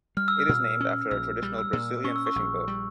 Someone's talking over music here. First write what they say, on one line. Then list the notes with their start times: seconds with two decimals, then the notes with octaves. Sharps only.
It is named after a traditional Brazilian fishing boat.
0.17 G3 F6
0.28 E6
0.39 F6
0.49 A#2
0.80 C#4
1.11 A#1 E6
1.42 G3
1.58 E6
1.73 A#2
2.04 C#4 C#6
2.16 E6
2.26 C#6
2.36 A#1
2.68 G3